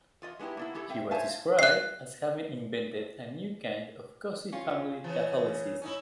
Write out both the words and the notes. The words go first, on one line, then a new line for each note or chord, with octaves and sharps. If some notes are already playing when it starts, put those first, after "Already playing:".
He was described as having invented a new kind of cosy family Catholicism.
E2 F4 D#5
G#3 B3 D4 E4 G4
A#3 B3 E4
G#3 E4 G4 A4
C4 E5 G5
C5 C#5 E5 F5 G#5 A5
F#6 C7
C#4 F4
C#3 E3
C#4 D#4 E4